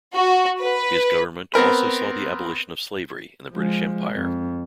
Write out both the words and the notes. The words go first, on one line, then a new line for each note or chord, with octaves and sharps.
His government also saw the abolition of slavery in the British Empire.
F#4
B4
B3 C4 A#4 B4
F3 G#3
F2